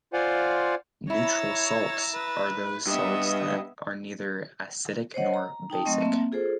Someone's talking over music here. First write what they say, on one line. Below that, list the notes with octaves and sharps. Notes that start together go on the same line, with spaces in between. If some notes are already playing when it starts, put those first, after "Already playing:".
"Neutral salts" are those salts that are neither acidic nor basic.
F4 C5 D5 F5 F#5 G#5
E4 C#5 A#5 E6 A6
B4
G2 B3 D#5 E5 D#6
C5 C#5 D#5 F#5
A#5
D#4 G5 A5 D#6
F#3 A3 C4 D#5 C#6
A#3 C4 E5 A5
F4 G#4 A4 C5